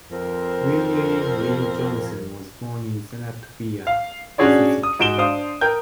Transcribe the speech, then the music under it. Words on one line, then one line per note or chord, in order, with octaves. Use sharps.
Willie Lee Johnson was born in Senatobia, Mississippi.
F2 C4 A#4
F5
C#4 D4 F#4 G#4 C#5 D5
D#6
G#2 F#4 D7 E7 G7
D4 C5 F5 D#6
A#4 G5 G6